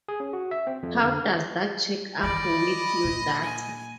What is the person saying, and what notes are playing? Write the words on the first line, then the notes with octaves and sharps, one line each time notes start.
How does that check up with your data?
G#4
C#4
F#4
E5
C4
F2
D3
D#3 E3 D5 D#5 B5
A#2
G#5